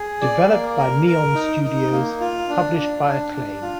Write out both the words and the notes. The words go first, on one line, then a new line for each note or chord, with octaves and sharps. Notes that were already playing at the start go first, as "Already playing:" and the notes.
Developed by Neon Studios, published by Acclaim.
Already playing: G#4
D5
A#3
A#4
A#4
D#4
D#4
A#3
F4
D4
D4
D4
D4
F4